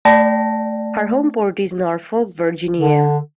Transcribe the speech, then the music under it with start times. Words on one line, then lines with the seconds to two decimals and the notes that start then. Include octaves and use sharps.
Her home port is Norfolk, Virginia.
0.05 A3 D5 G5 A5 A#6
2.76 D3